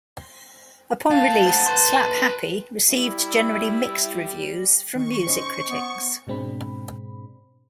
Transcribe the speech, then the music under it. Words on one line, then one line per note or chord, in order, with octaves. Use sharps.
Upon release, "Slap-Happy" received generally mixed reviews from music critics.
G2 F5 A5
C5 F#5
B4 C6
G3 E4
D#3 C#6
C#4 D#4 C5 D#5
B3
G#2 B2 G#3 C4 D4 B5